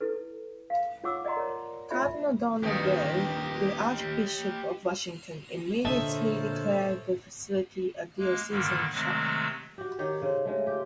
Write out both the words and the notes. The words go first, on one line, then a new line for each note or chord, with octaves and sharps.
Cardinal Donald Wuerl, the Archbishop of Washington, immediately declared the facility a diocesan shrine.
E4 A4 B4
F5
F4 C#5 F#5 D6 E6
D5 D#5 F#5 A#5 C6
A#4 C#5
F4 C#5 D#5 E5 B5
D#1 G2 D#3 G4 D#5
A#2 D3 A4 C5 C#5 D#5 E5 A5
G#3 A#3
G2 A#2 D3 D#3 G3 A#3
C3 D#3 F#3 G#3 A3 C4
F#4 G4
D#3 D#4 G4 C#5
C#3 C4
C#3 G#3 A3
F4 G4